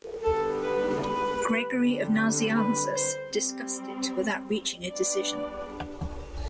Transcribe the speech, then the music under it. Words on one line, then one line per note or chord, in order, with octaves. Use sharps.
Gregory of Nazianzus discussed it without reaching a decision.
D3 G3 B3 A4
B4
B4
D3 G3 C4
B4
C5
G3 C4
G3 B3 D4 D5